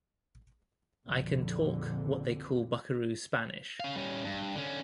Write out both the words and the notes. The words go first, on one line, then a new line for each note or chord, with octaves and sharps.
I can talk what they call buckaroo Spanish.
A#1 F2 D3
C#4 F5
G3 C#4
G2
D3 C#4